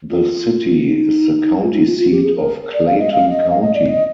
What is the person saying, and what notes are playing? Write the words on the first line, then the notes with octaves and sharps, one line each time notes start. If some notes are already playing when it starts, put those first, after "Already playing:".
The city is the county seat of Clayton County.
F4
D#4
F4
D#4
F4
F4
G4
G#4
A#4
D5
F5
D#5
F5
D#5
F5
D#5
D5
D#5